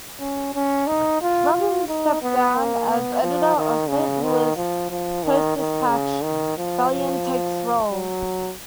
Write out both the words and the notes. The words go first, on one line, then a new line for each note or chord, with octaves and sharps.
"Robbins steps down as editor of Saint Louis Post-Dispatch, Bailon takes role".
C#4
C#4
D#4
F4
F4
D#4
B3
A#3
B3
F3
D#3
C#3
D#3
F3
F3
D#3
D#3
C#3
D#3
F3
F3
F#3